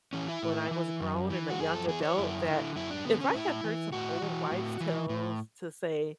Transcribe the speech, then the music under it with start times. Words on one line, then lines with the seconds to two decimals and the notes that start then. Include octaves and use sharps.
when I was grown, and a young adult, that if I had heard some old wives' tales to say,
0.13 E3 C#4
0.28 E4
0.42 A2
0.71 E3
1.01 F#2
1.30 E3
1.50 F#4
1.60 F#2 G#4
1.74 A4
1.88 E3 G#4
2.03 C#5
2.18 F#2 E4
2.47 D3
2.76 F#2 E4
2.90 D4
3.05 D3 B3
3.21 C#4
3.34 A2 E4
3.64 E3
3.92 A2 F#4
4.22 E3
4.51 A2
4.80 E3
5.09 A2